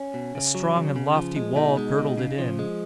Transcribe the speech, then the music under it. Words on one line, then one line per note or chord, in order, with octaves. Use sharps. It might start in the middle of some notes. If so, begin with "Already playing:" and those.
A strong and lofty wall girdled it in.
Already playing: C#4
B2
C#3
F#3
C#3
C#3
F3
G#3
B2 D#4
G#3
B2
C#3
F3
G#3